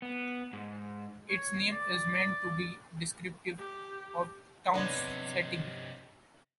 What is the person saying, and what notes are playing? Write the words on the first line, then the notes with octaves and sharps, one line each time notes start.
Its name is meant to be descriptive of the town's setting.
B3
G#2
C#5
D5
G4
C3 F#3 B3 D4 D#4 C6 G#6